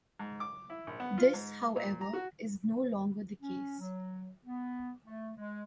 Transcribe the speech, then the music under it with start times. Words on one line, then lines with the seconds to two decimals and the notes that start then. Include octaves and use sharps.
This, however, is no longer the case.
0.19 G#2
0.40 D6
0.70 E4
0.87 A#1
1.00 B3
1.18 F4
1.33 G#2
1.76 A#2
2.01 A#5
2.13 F#4
3.40 C#4
3.79 F#3
4.45 B3
5.05 A3
5.37 G#3